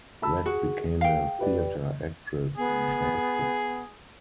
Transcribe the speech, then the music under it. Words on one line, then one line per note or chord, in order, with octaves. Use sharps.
Rhett became a theatre actress in Charleston.
A5 B5 E6
F#4 G#4
F5 G5
G4 B4 D5
B3 G#4